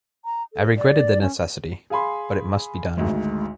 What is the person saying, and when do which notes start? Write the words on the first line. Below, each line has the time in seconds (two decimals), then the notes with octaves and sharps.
I regretted the necessity, but it must be done.
0.25 A#5
0.53 A4
0.76 D5
1.21 C#4
1.90 G#4 F5 G#5 B5 C6
2.97 G#1 D2 G#2